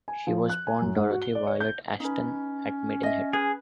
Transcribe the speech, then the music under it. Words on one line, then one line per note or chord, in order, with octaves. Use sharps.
She was born Dorothy Violet Ashton at Maidenhead.
G#5
F3
F#6
G#5
F#2
G#2
F#4
G7
D5
C#5
G6
C#4 D#4 B4
D#5 E5
G#4 B4